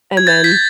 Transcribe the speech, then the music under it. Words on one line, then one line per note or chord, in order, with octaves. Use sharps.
and then
G#6
G6 A6
G6 B6